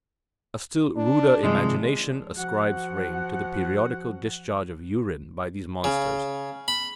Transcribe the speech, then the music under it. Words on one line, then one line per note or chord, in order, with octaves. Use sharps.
A still ruder imagination ascribes rain to the periodical discharge of urine by these monsters.
D4
C3 D#3 F3 G#3
F3 F#4 F#5
C#3
B5